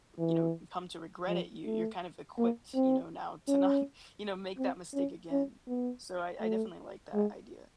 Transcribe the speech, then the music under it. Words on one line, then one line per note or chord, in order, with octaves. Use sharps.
you know, come to regret it, you you're kind of equipped, you know, now to not, you know, make that mistake again. So, I I definitely like that idea.
E3
F3
A3
A#3
C4
C#4
C4
C#4
C#4
B3
A3
G#3